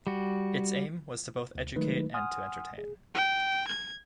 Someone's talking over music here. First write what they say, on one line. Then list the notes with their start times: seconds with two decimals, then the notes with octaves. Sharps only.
Its aim was both to educate and to entertain.
0.07 G3 F#4
1.55 D2
1.76 D#3 F#3 G#3 A3 D#4 B4
2.14 F#5 G#5 C6 D#6 F6
2.78 G#4
3.15 G5
3.68 G#6